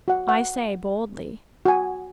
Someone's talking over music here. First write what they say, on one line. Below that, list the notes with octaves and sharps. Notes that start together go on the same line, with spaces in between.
I say boldly.
F#4 F#5
F#5
F#4 G#5